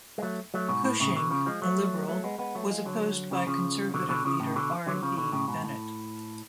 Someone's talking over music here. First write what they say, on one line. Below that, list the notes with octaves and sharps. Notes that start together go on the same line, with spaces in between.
Cushing, a Liberal, was opposed by Conservative leader R. B. Bennett.
G#3
F#3 A3
F#3 A3
G#2 B2
A2
A2 C#3
B2 D3
C#3 F3
F3 G#3
F#3 A3
F#3 A3
G#3 B3
G#3 B3
F#3 A3
F3 G#3
D3 F#3
C#3 F3
C#3 F3
B2 D3
B2 D3
C#3 F3
A2 C#3
B2 D3
D3 F#3
C#3 F3
B2 D3
A2 C#3
G#2 B2
A2